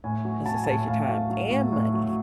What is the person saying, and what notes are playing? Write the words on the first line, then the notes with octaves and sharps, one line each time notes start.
'Cause it saves you time and money.
A2 G#5
F#3
F#3 A5
G#5
A5
A2
A2 F5
F#3
F#3
A2
A2
F#3